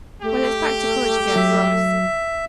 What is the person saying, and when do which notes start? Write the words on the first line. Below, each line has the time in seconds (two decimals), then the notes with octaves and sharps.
Well, it's back to college again for us.
0.22 A3 G4
1.36 F#3 E5